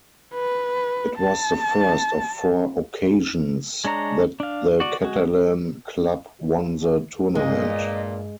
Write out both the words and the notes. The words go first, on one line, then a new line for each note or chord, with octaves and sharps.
It was the first of four occasions that the Catalan club won the tournament.
B4
A5
G#3 D4 C#5 A#5
D4 F5
F#4 D5
G#3 F#4
G2 A#2 G#3 D#5